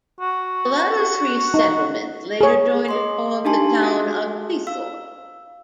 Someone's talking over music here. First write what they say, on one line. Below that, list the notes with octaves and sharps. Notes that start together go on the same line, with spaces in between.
The latter three settlements later joined to form the town of Cleethorpes.
F#4
D#4
G#4 C#5
G#4 D#5 C6
D4 D#4 G4 G#5 A5 C6
F#4 G#4 A4 E5 F5
F5 E6